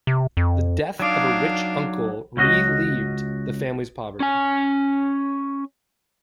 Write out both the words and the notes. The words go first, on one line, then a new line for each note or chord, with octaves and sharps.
The death of a rich uncle relieved the family's poverty.
C3
F2
F#3 D4 D#4 D5 F5
C#2 C#4 F#4 D#5
C#4 G#5